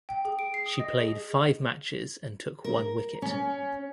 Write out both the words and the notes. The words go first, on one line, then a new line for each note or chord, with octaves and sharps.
She played five matches and took one wicket.
G5
G#4
D7
C7
D#6
D#5
G#4
A#4
C#4